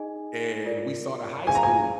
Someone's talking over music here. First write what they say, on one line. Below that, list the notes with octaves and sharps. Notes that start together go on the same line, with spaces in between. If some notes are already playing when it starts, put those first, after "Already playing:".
and we saw the high school,
Already playing: D#4 G#4 D#5 G#5
F4 A#4 D5
G#4 C5 F5 G#5
A#5
G#5